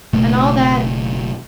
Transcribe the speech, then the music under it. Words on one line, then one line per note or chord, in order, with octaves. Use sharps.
And all that.
F#1 B2 A3